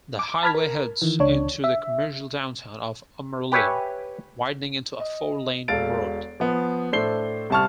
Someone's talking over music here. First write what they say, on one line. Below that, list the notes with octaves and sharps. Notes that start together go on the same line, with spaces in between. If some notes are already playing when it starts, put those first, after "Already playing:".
The highway heads into the commercial downtown of Amarillo, widening into a four-lane road.
D6
A5 B5 F6 G#6 B6
A#4
D#3 E3
C#2 D4 C#5
E5
G4 B4 C#5 E5 G#5
D#5
E1 A4 F5 A6 D7
F3 B3
A2 D4 A4 C5 C7 G7
C2 C3 A5 C#6 F6